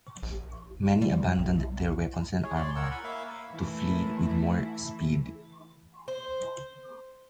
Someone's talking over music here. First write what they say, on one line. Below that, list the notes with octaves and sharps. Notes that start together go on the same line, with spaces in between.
Many abandoned their weapons and armor to flee with more speed.
A#1
G3
B1
G#4 C#5
C#5 D5 C6
A#4 C#5 F#5 E6
F#5 G#5 B5
A#3 E4 E5 F5
E3 A3 E4
C5